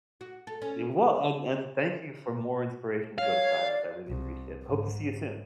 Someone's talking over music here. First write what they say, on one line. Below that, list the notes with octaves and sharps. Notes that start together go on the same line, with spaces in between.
It wa and and thank you for more inspiration to go to Thailand. I really appreciate it. Hope to see you soon.
F#4
A4
C#4
C#5 F5
D5
C2
G#2